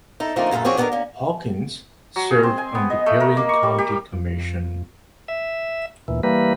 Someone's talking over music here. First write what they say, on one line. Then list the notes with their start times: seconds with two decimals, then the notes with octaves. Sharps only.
Hawkins served on the Perry County Commission.
0.20 D#4 E4 A4
0.36 D3 F3 A3 A#3 C4 D#4
0.51 F#2 A#2 C#3 A3 A4
0.64 F3 C4 D4 F#4 G#4 C#5
0.77 D#3 B3 D4 E4 A4 A#4
0.92 A#3 C#4
2.16 F#3
2.31 G#4
2.43 C4
2.58 G#5
2.75 B3
2.90 D#5
3.06 A3
3.20 A#4
3.37 A#3
3.49 C#6
3.63 G3
3.78 G4
4.12 F2
5.28 E5
6.08 D2 A#2 E3
6.23 E3 G3 A#3 B4